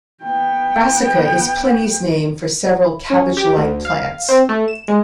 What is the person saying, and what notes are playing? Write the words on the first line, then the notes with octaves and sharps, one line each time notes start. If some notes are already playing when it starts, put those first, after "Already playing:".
'Brassica' is Pliny's name for several cabbage-like plants.
B3 G5
C#4
G4
D2
F5
C4
A3
E7
G#3